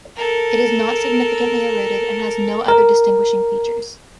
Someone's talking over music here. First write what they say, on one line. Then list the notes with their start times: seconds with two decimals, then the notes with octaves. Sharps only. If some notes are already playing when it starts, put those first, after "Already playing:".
It is not significantly eroded and has no other distinguishing features.
0.16 A4 A#4
2.68 A#4